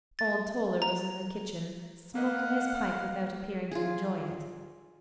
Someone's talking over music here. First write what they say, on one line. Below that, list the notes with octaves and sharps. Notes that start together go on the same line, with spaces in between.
Old Toller was in the kitchen, smoking his pipe without appearing to enjoy it.
A6
A#5
A#3 B4 D#5 F5 F#5
F4 G#4